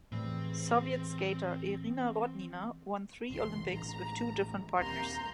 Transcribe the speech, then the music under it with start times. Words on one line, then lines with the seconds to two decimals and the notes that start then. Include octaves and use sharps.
Soviet skater Irina Rodnina won three Olympics with two different partners.
0.12 A2 E3 G3 C4 G#4
3.30 F#1 C2 E3 C6
3.71 A1 A2 G#3 A#5
4.79 D#1 C2 C3 A#3 A#5 C6 G6